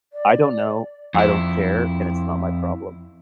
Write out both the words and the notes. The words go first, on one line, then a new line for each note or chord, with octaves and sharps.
I don't know. I don't care. And it's not my problem.
D5
F2 E4